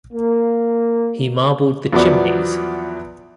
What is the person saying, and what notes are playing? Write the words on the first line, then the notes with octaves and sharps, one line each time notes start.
He marbled the chimneys.
A#3
E2 F3 F#3 B3 D5 D6